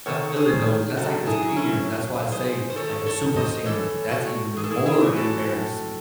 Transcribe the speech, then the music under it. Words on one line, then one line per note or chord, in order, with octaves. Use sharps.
I feel it, though, that's like the senior. That's why I say, like, a super senior, that's even more embarrassing,
D#3 A4 C#5
G#4 C5
D#3
F#2 F#4 A4
E4 G#4
F#3
C#4 E4
F#3
F#2 G#4 C5
C5
D#3 A4 C#5
A4 C#5
D#3
C5 D#5
E3 A4 C#5
A2 F#4 A4
E3 G#4
A4
E4 G#4
E4 G#4
E3
F#4 A4
A2